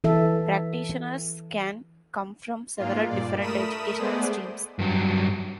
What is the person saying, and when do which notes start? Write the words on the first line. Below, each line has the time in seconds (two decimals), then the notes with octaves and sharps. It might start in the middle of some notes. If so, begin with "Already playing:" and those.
Practitioners can come from several different educational streams.
0.04 E3 A4 E5
2.77 G#2 G#3 A#3 F4
3.08 G2 A#2 D5
3.39 A3 A#4 B5 D#6 E7
3.99 G#3 A3 B3 G#4 C5 D5
4.79 G2 F#3